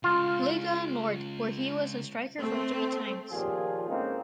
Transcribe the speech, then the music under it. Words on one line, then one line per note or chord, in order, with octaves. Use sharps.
Liga Nord, where he was a striker for three times.
C#3 G#3 F4
A3 C4
D#2 A#2 F3 F4 G4 G#4
A2 G#3 A#3 C4 C#4 D#4